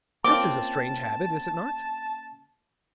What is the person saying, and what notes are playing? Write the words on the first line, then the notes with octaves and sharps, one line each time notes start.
This is a strange habit, is it not?
A#3 C4 C#4 F4 A5 D6